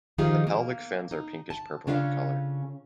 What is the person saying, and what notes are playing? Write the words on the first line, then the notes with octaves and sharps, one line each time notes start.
The pelvic fins are pinkish purple in colour.
D#3 F3 D#4 F4 G4 G#4
A#3
D#4
A5
C#3 C#4 D4 F4 A4 F5